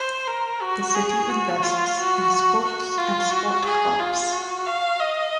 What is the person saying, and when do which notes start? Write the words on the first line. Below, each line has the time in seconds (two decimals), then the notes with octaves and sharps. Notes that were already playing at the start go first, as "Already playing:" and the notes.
The city invests in sports and sport clubs.
Already playing: C5
0.28 A#4
0.62 F#4
0.95 G#4
1.29 F#4
1.63 F4
1.97 F#4
2.64 F#4
2.98 F4
3.31 F#4
3.65 G#4
4.00 F4
4.33 F#4
4.66 F5
5.00 D#5